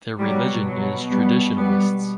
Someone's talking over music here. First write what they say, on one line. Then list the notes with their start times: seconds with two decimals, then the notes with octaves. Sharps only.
Their religion is traditionalists.
0.19 B2 F#3 G3
0.66 F#3
1.11 G3 B3
1.57 G3 B3